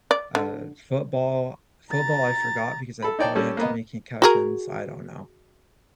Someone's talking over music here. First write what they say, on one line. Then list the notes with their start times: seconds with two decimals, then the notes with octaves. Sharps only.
uh, football. Football, I forgot because I probably had too many concussions, I don't know,
0.11 D5
0.35 D3
1.91 A#5 A6
3.02 A4 B5
3.19 D#4 C#5 D5 G5 A5
3.35 G3 C#4 A4
3.57 A#3 B3 D#5
4.22 F#4 G#4 A#4